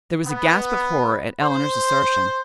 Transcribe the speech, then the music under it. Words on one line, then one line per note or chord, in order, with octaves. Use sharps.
There was a gasp of horror at Eleanor's assertion.
B3
C5